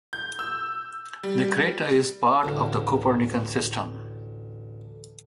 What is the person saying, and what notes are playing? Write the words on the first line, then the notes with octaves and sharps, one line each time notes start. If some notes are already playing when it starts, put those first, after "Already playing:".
The crater is part of the Copernican System.
G6
E6
G3
A1 D2